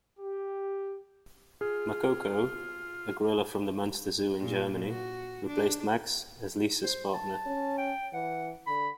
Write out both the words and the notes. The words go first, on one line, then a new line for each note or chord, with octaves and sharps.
Makoko, a gorilla from the Munster Zoo in Germany, replaced Max as Lisa's partner.
G4
F4 G#4
A#2
F#4
D4
C5
A5
C#4
G5
E3 F#5
D3 B5